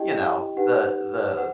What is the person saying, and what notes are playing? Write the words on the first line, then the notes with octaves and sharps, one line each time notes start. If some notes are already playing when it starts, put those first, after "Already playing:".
you know, the the
Already playing: E4 G4 D#5 G5
D#4 G4 B4 F#5
C5 F#5